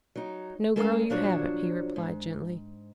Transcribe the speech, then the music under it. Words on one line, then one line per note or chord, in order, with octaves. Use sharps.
"No, girl, you haven't," he replied gently.
F#3 D#4
G#3 C#4 A4 A#4 D5 F5
A#2 F3 F#3 D4 C5 C#5
G#2